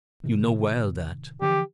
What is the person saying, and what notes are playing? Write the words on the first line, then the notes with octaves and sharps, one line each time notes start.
You know well that.
A2 C3 D#3
D3 E3 F3 G4